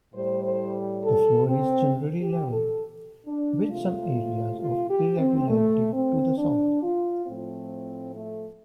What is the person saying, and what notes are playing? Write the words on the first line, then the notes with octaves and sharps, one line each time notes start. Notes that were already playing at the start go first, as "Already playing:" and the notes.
The floor is generally level, with some areas of irregularity to the south.
A2 G3 C5
C5
A4
C4
G4
A4
D4
C3 A3 F4
F4
G4
C4
A3
C4
D4
F4
A2 F3 A3 C4
A3